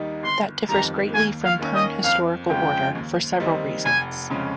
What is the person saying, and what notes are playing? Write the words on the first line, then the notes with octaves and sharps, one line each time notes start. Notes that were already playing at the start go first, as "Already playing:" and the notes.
That differs greatly from Pern historical order, for several reasons.
Already playing: D#2 D#3 G3 D#4
G1 C6
F2 D#3 G3 A#5
D#2 G#5
F5
D#3 A#3 C#4
D#5
F2 F5
C#3 F3 G#3 G5
D#2
D#3 G3 C4 D#4
F1 G#5
F2 C#3 G#3 C#4